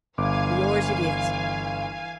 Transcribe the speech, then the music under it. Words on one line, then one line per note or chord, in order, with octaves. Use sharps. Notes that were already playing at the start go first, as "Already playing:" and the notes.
For yours it is.
G1 E3 F5 G#5 D6